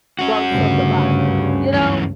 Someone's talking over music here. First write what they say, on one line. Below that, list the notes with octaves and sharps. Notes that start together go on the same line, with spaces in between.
verse of the Bible, you know?
C#4 F#4
D2 G2 C#3
F#2 E3